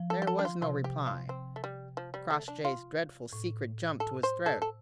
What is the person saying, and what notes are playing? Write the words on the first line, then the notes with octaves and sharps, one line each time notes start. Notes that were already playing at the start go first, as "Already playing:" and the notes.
There was no reply: Crossjay's dreadful secret jumped to his throat.
Already playing: F3
A4
G4
A4
D4
F4
C3 F4
G4
F4
C4
A3
G3
F3
G3
A3
D4
F4
A2
A4
C5
A4
A4